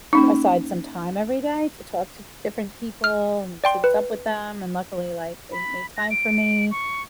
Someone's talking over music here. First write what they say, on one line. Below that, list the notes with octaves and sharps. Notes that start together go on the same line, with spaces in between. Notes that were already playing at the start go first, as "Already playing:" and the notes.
aside some time every day to talk to different people and see what's up with them, and luckily, like, they made time for me
A#3 C#4 D#4
F6
D5 G5 C6
B4
B5
A#6
D7
C#6